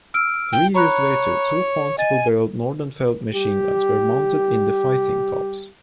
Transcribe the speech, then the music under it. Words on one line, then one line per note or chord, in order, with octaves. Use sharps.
Three years later two quintuple-barreled Nordenfeldt machine guns were mounted in the fighting tops.
E6 F6 D7
G5
C#5 A#5 B5 F#6
D#5 G#5 A6
G3 G4